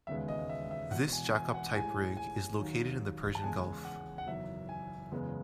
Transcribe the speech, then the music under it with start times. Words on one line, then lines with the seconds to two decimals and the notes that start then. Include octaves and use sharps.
This jackup type rig is located in the Persian Gulf.
0.07 E1 D#2 C#3 G#3 B3 E5
0.28 D#5
0.49 E5
0.71 E5
0.91 E1 E2 B2 F#5
1.12 G#5
1.33 G#5
1.54 F#5
1.75 A1 A2 G#3 G#5
2.17 G#5
2.59 D#2 D#3 F#3
3.35 A5
3.44 E2 C#3 G#3 G#5
3.85 F#5
4.18 F#5
4.27 F#1 E2 D#3 F#3 E5
4.69 G#5
5.12 F#1 E2 C#3 G#3 B3